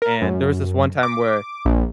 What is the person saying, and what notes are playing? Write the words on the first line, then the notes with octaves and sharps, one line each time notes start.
and there was this one time where,
A#4
F#2
D6
A#1